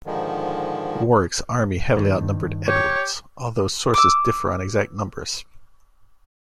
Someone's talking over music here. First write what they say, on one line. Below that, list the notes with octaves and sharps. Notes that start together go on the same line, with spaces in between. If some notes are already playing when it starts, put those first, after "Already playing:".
Warwick's army heavily outnumbered Edward's, although sources differ on exact numbers.
G#2 D3 D#3 F3 G#3
G2 D#3
G4 C#5
D6 E6